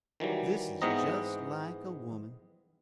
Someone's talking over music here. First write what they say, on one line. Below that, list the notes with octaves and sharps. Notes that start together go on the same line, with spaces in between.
This is just like a woman.
D#3 E3 F#3 G3
G#2 E3 B3 C4 D#5 A#5